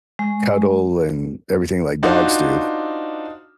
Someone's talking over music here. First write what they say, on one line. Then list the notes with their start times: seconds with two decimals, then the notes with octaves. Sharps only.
cuddle, and everything like dogs do.
0.19 G#3
2.03 D4 D#4 F4 F#4 C5